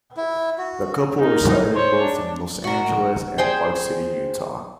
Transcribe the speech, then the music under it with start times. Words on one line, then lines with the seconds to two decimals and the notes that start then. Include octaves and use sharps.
The couple resided both in Los Angeles and Park City, Utah.
0.17 E4
0.58 F#4
1.20 D#4 A#4
1.73 C5 C#5
2.02 D4
2.64 F#4 A#4
3.38 G#4 C5 G5